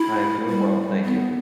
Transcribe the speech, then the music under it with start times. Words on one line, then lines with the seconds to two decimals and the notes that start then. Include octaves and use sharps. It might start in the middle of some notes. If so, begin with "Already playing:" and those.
I am doing well, thank you.
Already playing: E4
0.49 G3
1.05 B3